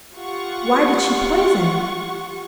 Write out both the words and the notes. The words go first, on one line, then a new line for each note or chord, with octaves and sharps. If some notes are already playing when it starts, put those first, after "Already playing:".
'Why did she poison?
F4 G4 F#5 C#6